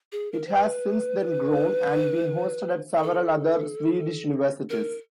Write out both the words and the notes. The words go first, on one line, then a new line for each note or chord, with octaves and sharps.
It has since then grown and been hosted at several other Swedish universities.
G#4
A#4
C5
B4
A#4
A4
A#4